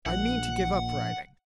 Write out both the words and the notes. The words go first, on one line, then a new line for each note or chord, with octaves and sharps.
I mean to give up riding.
A#1 F#5